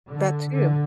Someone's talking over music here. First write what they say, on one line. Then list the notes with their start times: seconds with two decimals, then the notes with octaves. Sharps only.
That too.
0.12 D3
0.53 D3